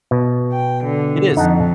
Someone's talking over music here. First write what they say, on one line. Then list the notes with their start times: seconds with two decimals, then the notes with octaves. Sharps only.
It is.
0.11 B2
0.53 G5
0.85 D3
1.37 F2 D#4 F#5 A5